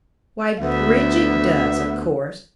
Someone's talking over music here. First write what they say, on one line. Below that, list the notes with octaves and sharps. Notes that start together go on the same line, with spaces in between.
"Why, Bridget does, of course."
D2 B3 E5